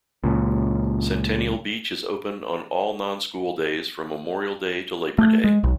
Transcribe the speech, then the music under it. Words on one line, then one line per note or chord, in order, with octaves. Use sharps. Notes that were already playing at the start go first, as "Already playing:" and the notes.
Centennial beach is Open on all non-school days from Memorial Day to Labor Day.
C#2 A#2
A3
G#3
B1